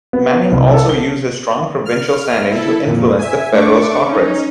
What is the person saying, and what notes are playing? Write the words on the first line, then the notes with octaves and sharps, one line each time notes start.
Manning also used his strong provincial standing to influence the federal Socreds.
B3
C2
A4
G7
F6
E4 A4
F2 A#2
E5 G#5
A3 D4 C#6 D6
C#4 D#4